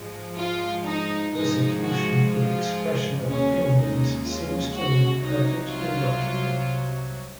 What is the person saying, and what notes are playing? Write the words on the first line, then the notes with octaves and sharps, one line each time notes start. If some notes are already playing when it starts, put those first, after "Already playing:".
Persecution for the expression of opinions seems to me perfectly logical.
Already playing: G#2 F3 G#3
F4
D#4
G#2 F3 G#3 D#4
F#4
F4
D#2 C#3 G#3 C#4
D#4
F4
F#4
C2 C3 F#3 D#4
F4